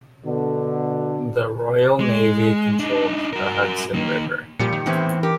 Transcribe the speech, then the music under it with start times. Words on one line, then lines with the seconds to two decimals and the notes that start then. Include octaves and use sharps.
The Royal Navy controlled the Hudson River.
0.25 B2 D3
2.00 G#3
2.80 D4 D#4
3.33 F#4 A#4
3.94 D#3 A#3
4.60 A#2 F3 G3 G4 C#7
4.73 D#3
4.86 E2 A2 E3 C4
5.23 G4 A#4